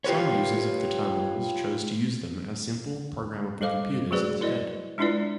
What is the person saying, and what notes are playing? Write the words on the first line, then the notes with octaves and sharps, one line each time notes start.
Some users of the terminals chose to use them as simple programmable computers instead.
F4 G4 B4 C#5
G3 A4 C5 F5 D6
F#3 A3 F#4 G#4 B4 D5
E4 A#4 D5 D#5
G#3 D4 E4 F4 B4 D5